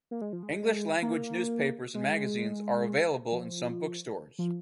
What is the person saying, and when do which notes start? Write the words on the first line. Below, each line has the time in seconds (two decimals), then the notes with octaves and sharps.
English language newspapers and magazines are available in some bookstores.
0.11 A#3
0.21 G#3
0.33 F3
0.43 G#3
1.02 A#3
1.95 G#3
3.32 F3
4.39 F3